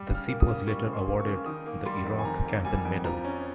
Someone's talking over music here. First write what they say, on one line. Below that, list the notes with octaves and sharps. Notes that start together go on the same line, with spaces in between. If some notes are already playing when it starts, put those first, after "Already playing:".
The ship was later awarded the Iraq Campaign Medal.
Already playing: G3
C#3
F6
A#3
D#6
C#3
G3 C#6
C#3
C6
A#3
C#6
C#3
D#3 D#6
A#3
G3 C6
F2
G#5
D#3 A#5
A#3
G3 G#5
F2
F3 A#5
C#4